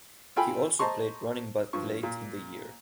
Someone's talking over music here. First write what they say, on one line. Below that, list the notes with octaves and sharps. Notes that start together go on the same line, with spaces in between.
He also played running back late in the year.
F4 A4 G5 G#5 B5
C5 D#5 A5 A#5 C6 C#6
G2 F3 C#6
A#2